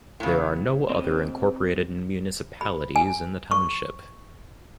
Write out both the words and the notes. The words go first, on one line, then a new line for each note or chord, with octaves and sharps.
There are no other incorporated municipalities in the township.
A2 C#3
C4 D#5
B5
G#5
C#6